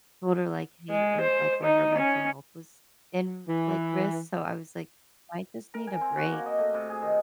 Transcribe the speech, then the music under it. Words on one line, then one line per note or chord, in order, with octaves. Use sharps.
told her, like, "Hey," and, like, where her mental health was in, like, risk, so I was like, "You might just need a break."
G#3
C5
D#4
C#4
E3
A#4
G#5
C4
F#4
A#3
D#5
A3
C3
G#4
D#3